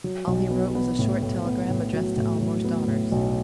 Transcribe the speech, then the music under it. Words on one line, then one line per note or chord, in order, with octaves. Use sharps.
All he wrote was a short telegram addressed to Aylmore's daughters.
F#3
B1
B3
B3
A2
A2
B3
A2
F#3
A2
F#3
B3
A2
B1